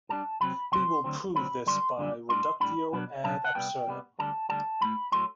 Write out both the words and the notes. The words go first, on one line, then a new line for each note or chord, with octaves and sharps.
We will prove this by reductio ad absurdum.
A2 G3 D4 A5
C3 F#3 C4 B5
C3 F#3 C4 C6
D2 D3 F#3 C4
D2 D3 F#3 C4 B5
F#2 D3 G3 D4 C6
F#2 D3 G3 D4
A2 G3 D4 C6
A2 G3 D4 B5
B2 F#3 B3 D4
B2 F#3 B3 D4 A5
F#5
C2 C3 G3 B3 G5
C2 C3 G3 B3
D2 D3 G3 A5
D2 D3 G3 A5
A2 F#3 A3 B5
A2 F#3 A3 C6